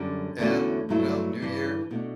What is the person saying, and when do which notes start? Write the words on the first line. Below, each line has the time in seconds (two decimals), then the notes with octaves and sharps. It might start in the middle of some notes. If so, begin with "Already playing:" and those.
And, you know, new year,
Already playing: F#2 D3 G3
0.39 E2 D3 A3 C#4 F#4
0.89 G2 F#3 A3 E4
1.40 G2 E3 G3
1.91 B2 A3 D4